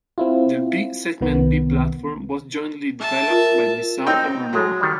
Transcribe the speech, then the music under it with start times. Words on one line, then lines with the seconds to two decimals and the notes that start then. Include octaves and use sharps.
The B-segment B platform was jointly developed by Nissan and Renault.
0.18 C4 E4 F4
1.20 C2 D#3 B3
3.00 E5 A5
3.30 F4 A#4
4.07 C4 D#4 G5
4.53 F#3 G#3 A4
4.81 D#3 G3